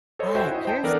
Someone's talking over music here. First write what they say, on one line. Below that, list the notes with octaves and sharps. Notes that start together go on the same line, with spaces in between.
But here's
A4 C5 C#5 D#5
F#4 C5 E5 G5 G#5
E4 D#5
C5 D#5 G5 A5
E3 B3 D4 A4 A#4 D5